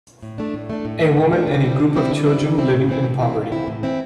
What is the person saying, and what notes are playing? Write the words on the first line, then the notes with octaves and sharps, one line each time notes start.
A woman and a group of children living in poverty.
A2
A3 D4
A2
A3 D4
A2
A3 D4
A2
A3 D4
D3
G3 C4 E4
D3
G3 C4 E4
D3
G3 C4 E4
D3
G3 C4 E4
A2
E3 C4 E4
A2
E3 C4 E4
A2
E3 C4 E4
A2
E3 C4 E4